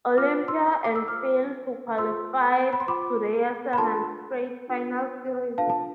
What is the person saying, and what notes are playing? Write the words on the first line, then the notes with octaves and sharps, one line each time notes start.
Olimpia and failed to qualify to their seventh straight final series.
F4 C5 D6 F6
C6 E6
D6
E6
F4 C5 D6 F6
F4 C5 C6 E6
B5
C6
F4 C5 B5 D6
B5
D4 F4 A4 A5 C6
D4 F4 A4
D4 F4 A4 F5 A5
A5